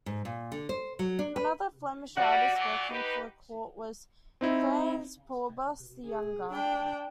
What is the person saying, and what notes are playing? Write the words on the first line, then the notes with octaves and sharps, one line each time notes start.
Another Flemish artist working for the court was Frans Pourbus the younger.
G#2
A#2
D3
C5
F#3
D4
B4
G3 F#4 D5 F#5
A#2 F#3 D5
D#4 G4 B4
C4 D#4 E4
G#4
D4 G5